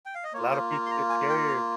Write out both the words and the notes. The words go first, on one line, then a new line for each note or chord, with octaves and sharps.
Lotta people get scared
G5
F5
D#5
A#3 F4 C#5
C5
A#5
C6
A#5
G#5
G5
A#5